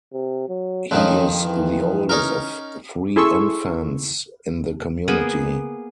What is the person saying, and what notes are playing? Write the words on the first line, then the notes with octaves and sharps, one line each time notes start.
He is the oldest of three infants in the community.
C3
F#3
F2 D#3 F3 C#4
E3
C#4 D#4 A#4
E4 G#4 A4 C6 C#6 E6
A#3 B3 G#4 A#4